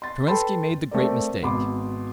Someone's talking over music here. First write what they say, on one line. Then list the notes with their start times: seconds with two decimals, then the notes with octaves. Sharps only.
Kerensky made the great mistake.
0.02 C6 A6
0.27 A4 B4 G5 A5 B5 C6
0.91 A3 C4 A#4 D5
1.43 G#1 B2 B5 C6 D6